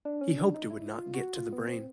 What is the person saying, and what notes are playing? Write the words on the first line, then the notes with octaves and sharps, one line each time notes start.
He hoped it would not get to the brain.
D4
C#4
D4
D#4
E4
F4
F#4
F4
B3
C4